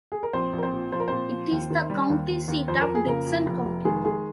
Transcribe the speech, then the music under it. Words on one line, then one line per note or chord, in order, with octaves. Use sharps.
It is the county seat of Dickson County.
G#4
A#4
A#1 C4 C5
A#1
A#4
C4 C5
A#2
F3 C5
A#4
A#2 C4 C5
F3
D#2
D#3
G3
D#2
D#2
D#2
F2 C5
A#4
F2
G#4
C#3 A#3 A#4
F2
F1
F1
D#3 G#3 G#4
D#3 G#3 G#4